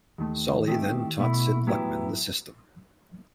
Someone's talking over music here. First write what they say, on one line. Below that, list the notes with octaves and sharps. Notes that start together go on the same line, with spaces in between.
Solly then taught Sid Luckman the system.
D#2 D#3 A3
D#3 A3 C4 E4 G4
B1 B2 A3 E4
A2 F#3 B3 E4 G4